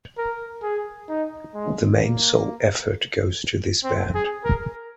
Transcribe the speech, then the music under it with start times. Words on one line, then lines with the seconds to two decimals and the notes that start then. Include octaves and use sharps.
The main soul effort goes to this band.
0.18 A#4
0.63 G#4
1.09 D#4
1.55 G#3
2.01 A#3
3.84 C4
4.15 G#4
4.45 A#4